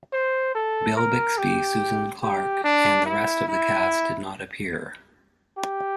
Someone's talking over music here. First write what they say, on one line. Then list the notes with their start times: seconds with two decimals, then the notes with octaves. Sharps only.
Bill Bixby, Susan Clark, and the rest of the cast did not appear.
0.13 C5
0.55 A4
0.97 A#4
1.38 G4
2.22 G4
2.64 D4
3.06 E4
3.48 E4
5.58 G4